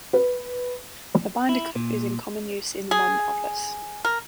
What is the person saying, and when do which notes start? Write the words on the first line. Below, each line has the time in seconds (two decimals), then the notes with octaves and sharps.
The binder clip is in common use in the modern office.
0.13 B4
1.49 E4
1.75 A#2
2.91 G#4
4.05 A#4